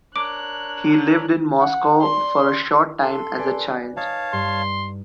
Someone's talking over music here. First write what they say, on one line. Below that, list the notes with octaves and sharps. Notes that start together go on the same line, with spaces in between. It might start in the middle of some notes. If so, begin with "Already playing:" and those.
He lived in Moscow for a short time as a child.
D4 A#4 C#5 D6 F#6 D7
F#5
D5 C6
A4 C6
B4 D5 G#5
D#4 C#5 F5 A5
G2 C6